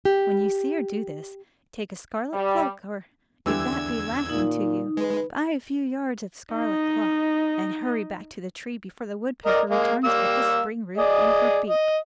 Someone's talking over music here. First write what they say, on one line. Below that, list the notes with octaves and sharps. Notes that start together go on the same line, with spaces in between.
When you see her do this, take a scarlet cloak, or if that be lacking to you, buy a few yards of scarlet cloth, and hurry back to the tree before the woodpecker returns with the spring-root in her beak.
G4
G3
E2 D3 E3 G3 E6 G#6
A#2 D#4
G#3 B4
D#4 D#5
A#4 D5 D#5
G#3 A#3
G3 A#3 E6
G#4 D5 D#5
D#5